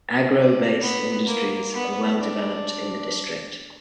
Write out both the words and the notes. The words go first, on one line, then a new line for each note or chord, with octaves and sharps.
Agro-based industries are well developed in the district.
D4
B3
A#3
B3
D4